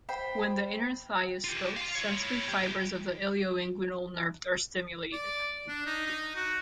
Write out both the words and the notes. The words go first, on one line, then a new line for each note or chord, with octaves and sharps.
When the inner thigh is stroked, sensory fibers of the ilioinguinal nerve are stimulated.
C5 G5 B5
F4 G4
F5 C6
E4 C#5
B1 G4
D5
D4
D#4
D#4
F#4